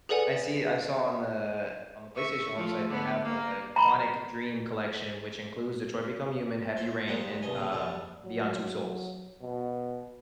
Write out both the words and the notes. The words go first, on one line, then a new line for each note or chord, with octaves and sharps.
I see I saw on the on the PlayStation website, they have, like, a Quantic Dream collection, which includes Detroit: Become Human, Heavy Rain and, uh, Beyond: Two Souls.
G#4 A4 B4 D5 F#5 G#5
E5 C#6
F3 A3
D3 B3
A#3
A#5 B5 C#6
C5 E5 F5
A#2 G3 G#3 F#5
C2 G2 D#5 G#5
A#2 C#3
F2 G3 F#5
F#3
B2